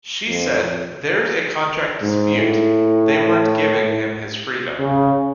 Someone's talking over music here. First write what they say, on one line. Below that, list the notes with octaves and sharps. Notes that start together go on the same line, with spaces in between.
She said There's a contract dispute, they weren't giving him his freedom.
F2
G#2
A2
C#3